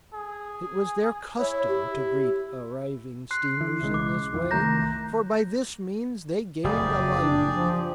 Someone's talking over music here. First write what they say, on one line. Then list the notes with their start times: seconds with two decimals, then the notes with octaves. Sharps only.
It was their custom to greet arriving steamers in this way, for by this means they gained a livelihood.
0.14 G#4
1.39 E4 C#5
1.68 G4
3.31 C6 F#6 C7
3.61 E3
3.82 B1 C#3 G#3
3.94 D6
4.34 F2 E3
4.51 C2 D#3 A3 A#5 G6 A#6
6.64 F#1 F2 G4 G#4 D5
7.17 D4
7.50 F3